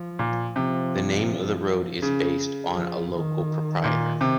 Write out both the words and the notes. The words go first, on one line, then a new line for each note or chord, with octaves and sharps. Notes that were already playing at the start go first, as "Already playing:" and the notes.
The name of the road is based on a local proprietor.
Already playing: F3
A#2
C3 F3
C#3
F3
D#3
A#2
C3